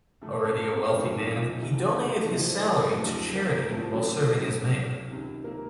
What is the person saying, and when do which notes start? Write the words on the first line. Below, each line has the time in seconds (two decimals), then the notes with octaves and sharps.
Already a wealthy man, he donated his salary to charity while serving as mayor.
0.21 F#2 C#3 A3
0.33 A3 A4
0.44 A3 A4
0.57 A#3 A#4
0.74 C4 C5
0.91 F#1 F2 D#3 A#3 A#4
1.03 F#3 F#4
1.14 F4
1.26 F4
1.38 D#4
1.49 F4
1.61 F1 F2 C3 D#3 F4
1.79 F#3 F#4
1.96 A3 A4
2.07 D#4
2.14 F#4
2.19 F4
2.30 C2 C3 F3 C4 D#4
2.43 F#4
2.48 F4
2.65 F#3 F#4
2.82 A3 A4
3.00 D#2 C#3 F3 F#3 F#4
3.35 A#3 A#4
3.70 A1 A2 A3 C4 F4
3.82 A3 A4
3.93 F#3 F#4
4.04 F4
4.22 D#4
4.39 C#2 C#3 F#3 F#4
5.10 C#2 C3 D#3
5.44 A#3 A#4